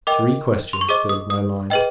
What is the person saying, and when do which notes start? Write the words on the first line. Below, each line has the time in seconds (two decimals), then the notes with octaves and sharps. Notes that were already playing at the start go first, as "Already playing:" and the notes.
Three questions filled my mind.
0.07 A#4 D#5 G5 D6
0.73 C6
0.81 C#6
0.89 G#4 C5 D#5 D6
1.09 D#6
1.30 D#6
1.70 G#4 B4 D#5 G5